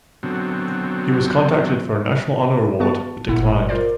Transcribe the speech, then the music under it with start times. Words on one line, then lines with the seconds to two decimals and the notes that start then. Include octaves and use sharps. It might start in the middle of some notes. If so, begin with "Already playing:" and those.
He was contacted for a National Honor Award, but declined.
0.23 B2 D3 F#3 C4
2.80 B3 F#4 A5 C#6
3.28 G1 A#2 E4 F#5
3.69 F4 A#4 C5 D5